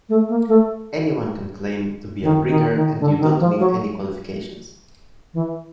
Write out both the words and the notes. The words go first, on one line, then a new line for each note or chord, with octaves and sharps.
Anyone can claim to be a breeder and you don't need any qualifications.
A3
A#3
A3
D#3
D#3
D#3
D3
D3
D#3
F3
F#3
E3